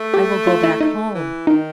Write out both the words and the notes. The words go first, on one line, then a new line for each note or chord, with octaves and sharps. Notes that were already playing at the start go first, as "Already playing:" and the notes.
I will go back home.
Already playing: A3
G4
F4
E4
A3 D#4
E3
D#3 D#4